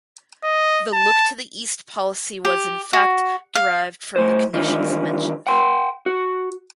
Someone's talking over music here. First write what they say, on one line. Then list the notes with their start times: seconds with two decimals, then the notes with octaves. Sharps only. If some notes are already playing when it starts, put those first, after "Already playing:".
The "Look to the East policy" was in fact derived from the conditions mentioned.
0.44 D#5
0.93 A5
2.45 G4
2.93 F#4
3.55 F5
4.16 A2 C5
4.54 D#3 E3 G3 D4 F4
5.47 F#5 G5 C6
6.06 F#4